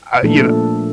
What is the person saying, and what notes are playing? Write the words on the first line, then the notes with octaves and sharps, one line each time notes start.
uh, you know,
A#2 F3 A3 D4 A4